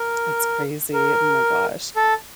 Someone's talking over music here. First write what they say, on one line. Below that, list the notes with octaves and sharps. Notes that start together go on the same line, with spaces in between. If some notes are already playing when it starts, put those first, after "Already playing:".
It's crazy. Oh my gosh.
Already playing: A#4
A#4
A4